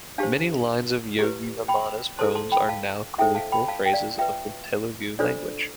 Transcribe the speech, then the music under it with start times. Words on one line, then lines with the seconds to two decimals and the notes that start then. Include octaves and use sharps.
Many lines of yogi Vemana's poems are now colloquial phrases of the Telugu language.
0.18 D4 G4 C5 F5 A5
1.19 E4 G4 B4
1.68 G5 B5
2.19 E4 A4 C5 A5 C6
2.35 A5 C6
2.52 G5 B5
2.69 F5 A5
3.18 E4 A4 C5 E5 G5
3.35 F5 A5
3.52 G5 B5
3.68 F5 A5
3.86 G5
3.93 D5 F5
4.19 F4 B4 E5 G5
5.19 D4 F4 A4 C5 D5